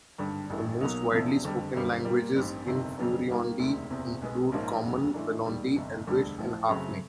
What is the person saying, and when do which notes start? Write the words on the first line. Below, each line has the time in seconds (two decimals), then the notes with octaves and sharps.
The most widely spoken languages in Furyondy include Common, Velondi, Elvish, and Halfling.
0.18 G#1 G2 D3 G3
0.50 A1 G2 E3 A3
0.81 B1 B2 F#3 A#3 D#4
1.12 E1 E2 C3 F3
1.42 F#1 F2 D3 G3
1.73 F#1 F#2 D3 G3 A#3
2.05 A#2 G3 A#3
2.35 A1 G2 D#3 G3 C4
2.66 G1 F2 C3 D#3
2.97 F2 C#3 F#3 B3 D4
3.28 D#2 D#3 G3 A#3
3.59 E1 D2 C3 D#3
3.90 F#1 E2 C3
4.22 B1 B2 G#3 B3
4.52 A#1 G#2 F3 A#3 C#4
4.83 F1 D#2 C#3 F#3
5.14 G#2 E3 A3 D4
5.45 E1 D#2 D#3 G3
5.76 G1 F2 C3
6.07 E1 D2 D3 G3
6.38 A1 A2 F3
6.69 F#2 C#3 F#3 A3 C4